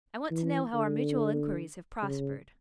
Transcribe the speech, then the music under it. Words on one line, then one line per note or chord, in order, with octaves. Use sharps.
I want to know how our mutual inquiries have prospered.'
E3
D3
C#3